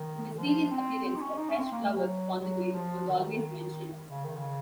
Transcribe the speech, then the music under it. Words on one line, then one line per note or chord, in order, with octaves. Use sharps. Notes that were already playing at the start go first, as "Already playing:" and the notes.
The mysterious appearance of fresh flowers upon the grave was always mentioned.
Already playing: D#3
F3
C4
C4
D#4
C#4
D#4
C#4
C4
A#3
A3
F#3
F#3
F3
D#3
C#3
D#3
C#3